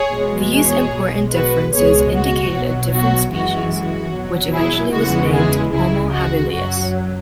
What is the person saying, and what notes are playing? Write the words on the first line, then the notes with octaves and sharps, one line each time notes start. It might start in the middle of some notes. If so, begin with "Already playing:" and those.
These important differences indicated a different species, which eventually was named "Homo habilis".
Already playing: G#4 C#5
E2 B2 G#3
G#4 C#5
B1 B2 G#3
F#4 B4
C#2 B2 G#3 G#4 C#5
F#4
B1 B2 F#3
F#4
F#2 E3 G#3 F#4
F#4
E2 B2 F#3
E4 G#4
E2 C#3 E3 G#3 F#4
E4 G#4
C#2 C#3 G#3 E4 G#4
F#4
F#2 F#3 F#4